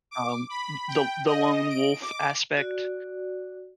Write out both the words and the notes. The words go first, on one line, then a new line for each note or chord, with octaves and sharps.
um, th the the lone wolf aspect.
D6
B5
G5
D#5
D7
D6
F#4 D5